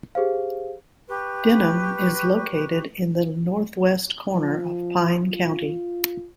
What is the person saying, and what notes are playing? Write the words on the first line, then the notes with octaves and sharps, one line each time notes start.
Denham is located in the northwest corner of Pine County.
G4 G#4 C5 F5
G4 B4 C#6
F3
F4